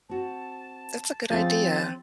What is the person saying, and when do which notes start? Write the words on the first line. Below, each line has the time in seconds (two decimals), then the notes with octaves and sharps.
That's a good idea.
0.10 C4 F#4 A5
1.30 F3 C4 C#4 G#4 A6